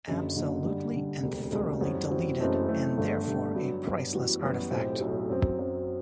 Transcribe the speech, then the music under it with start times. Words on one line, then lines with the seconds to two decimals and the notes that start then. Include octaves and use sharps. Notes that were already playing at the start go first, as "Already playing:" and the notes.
Absolutely and thoroughly deleted, and therefore a priceless artifact.
0.07 F#1 F#2 D3
0.36 F#1 F#2 D3
0.64 G2 D3 G3
0.94 G2 D3 G3
1.22 E1 D2 C3 G3
1.52 E1 D2 C3 G3
1.81 F#2 E3 G3 C4 F#4
2.10 F#2 E3 G3 C4 F#4
2.39 F#1 F#2 E3 A3 C4
2.68 F#1 F#2 E3 A3 C4
2.97 G1 G2 D3 A3
3.26 G1 G2 D3 A3
3.55 G2 F#3 B3
3.84 G2 F#3 B3
4.13 F#2 E3 G3 B3 F#4
4.42 F#2 E3 G3 B3 F#4
4.71 B1 A2 F#3 C4 G4
5.00 B1 A2 F#3 C4 G4
5.29 F#2 F#3 C4
5.59 F#2 F#3 C4